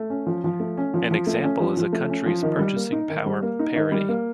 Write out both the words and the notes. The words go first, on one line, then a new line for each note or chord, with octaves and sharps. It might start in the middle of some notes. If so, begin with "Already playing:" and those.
An example is a country's purchasing power parity.
Already playing: A3
C#4
F3
F3
A3
C#4
F3
F3
A3
C#4
F3
F3
A3
C#4
F3
D#3
G3
A#3
D#4
D#3
G3
A#3
D#4
D#3
G3
A#3